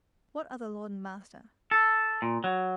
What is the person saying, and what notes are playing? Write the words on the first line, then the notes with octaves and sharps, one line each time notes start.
What other lord and master?
A4
A#2
F#3